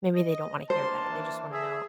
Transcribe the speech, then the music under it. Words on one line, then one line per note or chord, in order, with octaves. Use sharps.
maybe they don't wanna hear that, they just wanna know,
D#5
A#3 D4 C5 A5 C6
E3
G#4 E5